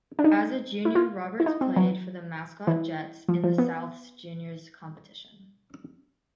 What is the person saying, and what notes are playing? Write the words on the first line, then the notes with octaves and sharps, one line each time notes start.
As a junior Roberts played for the Mascot Jets in the Souths juniors competition.
D4
D#4
E4
F4
E4
D#4
C4
F#3
E3
F3
F3
B3